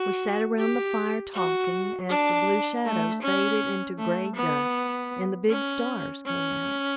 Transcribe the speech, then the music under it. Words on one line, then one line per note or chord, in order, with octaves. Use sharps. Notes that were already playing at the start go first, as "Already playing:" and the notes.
We sat around the fire talking as the blue shadows faded into gray dusk and the big stars came out.
Already playing: F#4
G4
F#4
D4
A3
C#4
A3
B3
C#4
C#4